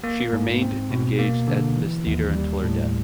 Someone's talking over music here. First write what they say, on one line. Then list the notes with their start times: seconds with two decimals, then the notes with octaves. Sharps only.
She remained engaged at this theater until her death.
0.04 A#3
0.33 G#2
0.61 C4
0.90 B2
1.19 A#3
1.48 D3
1.77 E3
2.06 D#2
2.34 G3
2.64 A2